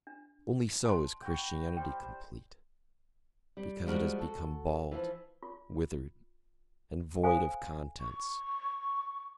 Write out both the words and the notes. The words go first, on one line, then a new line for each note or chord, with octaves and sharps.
Only so is Christianity complete, because it has become bald, withered, and void of contents.
D4
A5 C6
F#4 B4 G5
G3 C5 G5
G3
F3 G3 G#3 F#4 A#4
F#4 A4
E3 F3
F4
A4 C5 F5 G#5
C#6